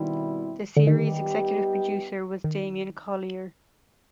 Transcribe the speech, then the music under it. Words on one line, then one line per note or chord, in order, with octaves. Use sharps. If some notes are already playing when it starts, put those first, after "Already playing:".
The series' executive producer was Damian Collier.
Already playing: B2 D#3 G3 C4 E4
D3
D#3 G3 B3 D#4 G4
D#3